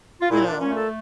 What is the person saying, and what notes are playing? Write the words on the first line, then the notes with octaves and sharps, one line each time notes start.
You know.
F4
A#2 E4
A#2 D4
C#4
A3
A4